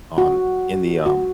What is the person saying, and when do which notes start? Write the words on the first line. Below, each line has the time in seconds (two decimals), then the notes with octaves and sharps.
on in the, um,
0.18 F#4
1.06 F#4